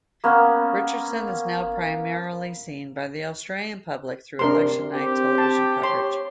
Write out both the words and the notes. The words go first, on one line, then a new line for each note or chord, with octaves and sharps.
Richardson is now primarily seen by the Australian public through election night television coverage.
A#3 B3 C#4
C3 D4 A#4 C6
C4 G4
A5
C#5 C6